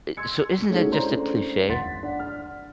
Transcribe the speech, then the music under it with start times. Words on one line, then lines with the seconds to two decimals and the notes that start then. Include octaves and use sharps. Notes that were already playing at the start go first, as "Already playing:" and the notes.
Eh so, isn't that just a cliche?
0.17 C6 E6 G#6 C#7
0.70 G#3 A3 C#4 D#4 E4 F#4
0.91 A3 C#4 D4 E4 C5 A#5
1.69 G1 F#5 C6 A6 B6
2.03 D4 F#5
2.19 F6